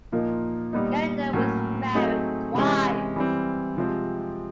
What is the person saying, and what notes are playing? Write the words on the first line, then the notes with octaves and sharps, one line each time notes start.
Galindo was married twice.
A#2 F3 A#3 D#4
A#2 G3 B3 D#4
A2 F#3 A#3 C#4
F#3 A3 C4 D#4 G#4
C3 E3 G#3 C#4
E3 G3 C4
C3 F3 G#3 C4